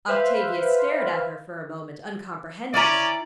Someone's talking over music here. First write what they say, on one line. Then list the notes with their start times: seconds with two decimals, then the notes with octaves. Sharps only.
Octavia stared at her for a moment uncomprehendingly.
0.08 B4 C5 E5 F5 B5
2.74 C#4 E4 D5 A#5